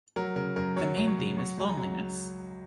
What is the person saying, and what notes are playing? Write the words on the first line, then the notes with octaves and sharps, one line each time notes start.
The main theme is loneliness.
F#3 A#4
C#3 A#4
F#2 A#4
F#3 C#5
F#2
C#5
C#3
F#3 C#6
C#2 G#5
A#5
F#3